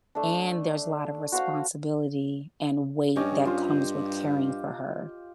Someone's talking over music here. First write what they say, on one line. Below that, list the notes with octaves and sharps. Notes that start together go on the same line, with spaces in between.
and there's a lot of responsibility and weight that comes with caring for her.
A3 D4
F#4 C5 F5
G2 C#4 G4 D#5
F4 C5